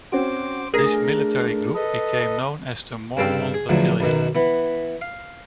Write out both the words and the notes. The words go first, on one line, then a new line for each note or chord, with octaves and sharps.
This military group became known as the Mormon Battalion.
C4 C#4 F#4 C5 D6
A3 D4 G#4 A#4 A#6
A4 B4 D#5
G2 C#3 C4 A4 F5 G5
G#4
E2 A2 D3 F3 F#3
B1 F#2 B2 D#3
E3 B3
F5